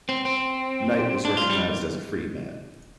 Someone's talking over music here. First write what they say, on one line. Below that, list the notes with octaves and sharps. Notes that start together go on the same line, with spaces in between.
Knight was recognised as a free man.
C4
C4
D4
F4
G3